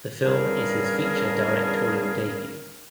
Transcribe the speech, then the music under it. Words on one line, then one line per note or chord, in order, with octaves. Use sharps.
The film is his feature directorial debut.
E2 C#3 G3 D4 G#4 A#4